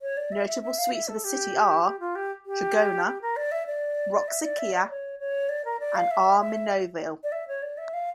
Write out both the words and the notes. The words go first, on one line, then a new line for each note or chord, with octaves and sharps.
Notable sweets of the city are "Trigona", "Roxakia" and "Armenovil".
C#5
D5
E5
E5
E5
F5
E5
A4
G4
G4
F4
G4
G4
G4
A#4
D5
E5
D5
E5
D5
E5
D5
C#5
C#5
D5
A#4
D5
F5
E5
E5
D5
E5
C#5
D5
E5
F5